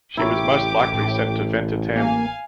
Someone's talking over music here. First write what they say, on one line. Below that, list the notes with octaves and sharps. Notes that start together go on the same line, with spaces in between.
She was most likely sent to Ventotene.
A1 E4 G4 A#4 C#5 D6
A2
A#3 F5 G#5